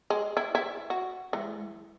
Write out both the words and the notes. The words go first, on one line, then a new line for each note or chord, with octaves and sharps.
I know.
G#3
E4
E4
F#4
E3